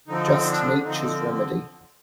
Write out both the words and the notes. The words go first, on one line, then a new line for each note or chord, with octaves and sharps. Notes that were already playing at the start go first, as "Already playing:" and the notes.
Just Nature's remedy.
D3 F3 C4 D#4
D#4
D4
D3 F3 C4 D#4